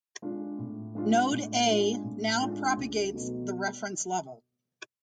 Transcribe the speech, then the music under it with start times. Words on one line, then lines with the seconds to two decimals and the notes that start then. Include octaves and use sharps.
Node A now propagates the reference level.
0.22 G#3 D4 F4
0.59 A2
0.95 G#3 D4 F4
1.31 A2
1.68 G#3 D4 F4
2.04 A2
2.41 G#3 D4 F4
2.77 C#2
3.13 B2 F#3 A3